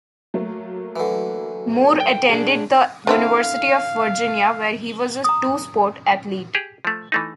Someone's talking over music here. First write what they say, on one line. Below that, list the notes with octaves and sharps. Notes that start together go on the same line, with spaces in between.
Moore attended the University of Virginia, where he was a two-sport athlete.
F#3 A3 A#3
D3 E3
G5
D4 G#4
D3 C4 E4 F5
A#5 D#6
G4 G#4
F3 A3
E3 A3 D#4